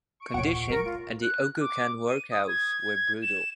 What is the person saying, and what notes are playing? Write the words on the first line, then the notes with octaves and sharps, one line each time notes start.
Conditions at the Occoquan workhouse were brutal.
C#6 D7
D#2 A#2 C#5 F#5
G#3 A#4
F4
F#6
D6
D#7
D#6
G#6
E7